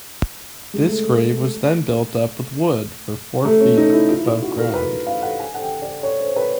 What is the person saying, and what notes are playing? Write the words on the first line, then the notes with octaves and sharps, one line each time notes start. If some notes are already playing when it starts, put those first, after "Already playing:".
This grave was then built up with wood for four feet above ground.
G#3
A3
A3
C#4
D#4
E4
F4
E4
F4
F#4
A#4
B4
F5
F#5
G#5
F#5
G5
D5
C#5
C5
B4